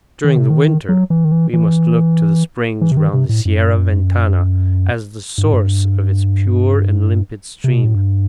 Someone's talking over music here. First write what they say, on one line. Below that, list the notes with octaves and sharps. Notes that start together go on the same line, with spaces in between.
During the winter we must look to the springs round the Sierra Ventana as the source of its pure and limpid stream.
D#3
C3
D#3
F#3
E3
D#3
E3
E3
E3
C3
D#3
C3
A2
F#2
G2
F#2
G2
A2
G2
C3
B2
A2
G2